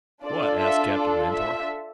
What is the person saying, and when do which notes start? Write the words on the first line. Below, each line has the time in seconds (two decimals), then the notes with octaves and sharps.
"What?" asked Captain Mentor.
0.23 D4 F4 A4 D5
0.59 E5
0.94 D5
1.31 E5